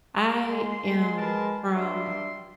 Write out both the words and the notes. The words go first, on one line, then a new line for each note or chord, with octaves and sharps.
I am from
G#3 C6
G#3
A#4 B4 A5
G2 G3 E5 C6